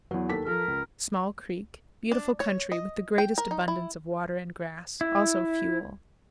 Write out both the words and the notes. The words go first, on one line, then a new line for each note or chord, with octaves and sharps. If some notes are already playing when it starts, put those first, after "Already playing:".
Small Creek.--Beautiful country, with the greatest abundance of water and grass; also fuel.
E2 F#3
D#2 A4 B6
F3 A4 A#4
C#2
D4
C#5
D#5
G5
A#4
D#4
E4
E4